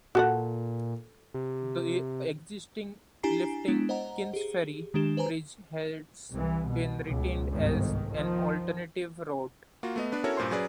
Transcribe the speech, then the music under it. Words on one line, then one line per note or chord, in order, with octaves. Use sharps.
The existing lifting Kingsferry Bridge has been retained as an alternative route.
A#2 F#4 A4 F#5
C3
D4 E4 G4 G#5 A#5 C7
G#3 B3 D4 E4
C5 D#5 F#5 A#5
G4 G#4
D#3 G#3 D4 G4 E7
B4 C5 G#5 A#5
C2 E3
B2
C#2 B2
G1 C2 G#2 D#3
D#3 F3
A#3 F4 F#4
A3 B3 D#5
B3 D4 B4
C#4 E4 F#4 A4 A#4 C#5
G2 A#2 C5 C6
F#3 C#4 G#4 B4 D5